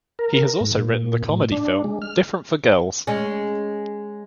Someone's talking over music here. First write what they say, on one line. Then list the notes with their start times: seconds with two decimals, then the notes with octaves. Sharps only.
He has also written the comedy film "Different for Girls".
0.19 A#4
0.61 G#2
0.77 A#2
1.29 A2
1.52 D4
1.84 G#3
2.02 F6
3.07 G#3 C#4